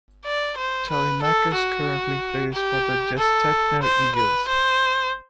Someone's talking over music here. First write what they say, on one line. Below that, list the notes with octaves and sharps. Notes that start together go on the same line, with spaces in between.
Telemachus currently plays for the Gestetner Eagles.
D5
C5
B4
A4
F#4
G4
A4
C5
B4
C5